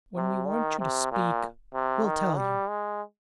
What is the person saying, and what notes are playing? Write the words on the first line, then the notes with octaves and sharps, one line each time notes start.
"When we want you to speak we'll tell you."
C3
D#3
C3
A#2
C3
D#3
G3
G#3